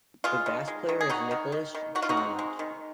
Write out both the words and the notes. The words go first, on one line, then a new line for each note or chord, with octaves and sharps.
The bass player is Nicolas Jouannaut.
G#3 F4
D#3
G#3
D#3
G#4
D#3 D#4 F#4
D#3
D#3
D#3
D#3 F#4
F4
D#4 F#4
C4
G#3
D#3